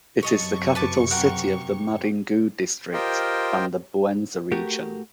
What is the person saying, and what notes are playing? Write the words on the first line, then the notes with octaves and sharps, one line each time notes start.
It is the capital city of the Madingou District and the Bouenza Region.
F#2 C3 C#5 D#5 A5 C#6
B4 A5 D6
G4 A#4 F#5
F4 G4 A#4 C5 D#5 G5
A3 F#4 G4 A#4